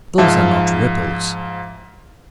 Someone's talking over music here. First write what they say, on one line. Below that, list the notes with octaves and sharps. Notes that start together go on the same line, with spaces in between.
Those are not ripples.
G#2 F3 E5 F5 A5